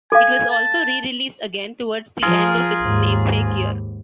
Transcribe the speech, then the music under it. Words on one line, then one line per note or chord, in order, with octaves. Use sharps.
It was also re-released again towards the end of its namesake year.
A4 F5 G#5
A5
F3 F4 G#4 A#4
D#2 G#2